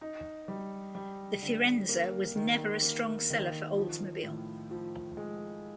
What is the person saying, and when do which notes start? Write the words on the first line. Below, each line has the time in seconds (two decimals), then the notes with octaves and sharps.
The Firenza was never a strong seller for Oldsmobile.
0.01 D#4
0.48 G3
0.95 G3
1.42 D3
1.89 A#3
2.36 D#3
2.82 A#3
3.30 D#3
3.76 F3
4.23 A2
4.71 F3
5.17 G#3